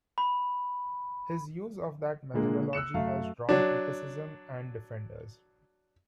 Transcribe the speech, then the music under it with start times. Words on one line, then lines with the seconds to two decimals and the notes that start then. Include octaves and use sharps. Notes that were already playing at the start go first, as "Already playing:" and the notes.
His use of that methodology has drawn criticism and defenders.
0.18 B5
2.34 A#2 D3 G#3 A#3
2.73 E6 F#6 C#7 E7
2.94 F#2 A3 F5
3.49 F#3 D4